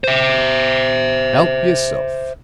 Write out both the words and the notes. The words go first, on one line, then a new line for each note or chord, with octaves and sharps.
"Help yourself."
C5 E5